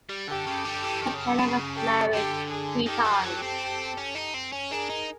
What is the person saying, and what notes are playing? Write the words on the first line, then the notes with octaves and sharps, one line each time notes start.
Michener was married three times.
G3
D3 G4 A4
C#3
D3
E3
D#3
C#3
C3
C#3
G4 A4
D3 G4 A4
G#4
D#3 G4 A4
F3
F#3 G4 A4
C4
C#4
D#4
C4
C#4
D4 G#4 A#4
D#4